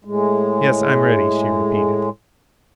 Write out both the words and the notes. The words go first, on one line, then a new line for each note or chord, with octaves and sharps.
"Yes, I'm ready," she repeated.
A2 G#3